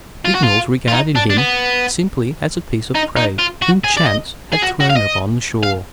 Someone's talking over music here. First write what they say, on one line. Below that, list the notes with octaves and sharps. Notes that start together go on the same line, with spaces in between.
Vignolles regarded him simply as a piece of prey whom chance had thrown up on the shore.
F4
F#4
F4
F4
D#4
D4
D4
B3
D#4
D#4
F4
F#4
G#4
D5
D#5
G#4
F#4
F#4
F5
D#5
F5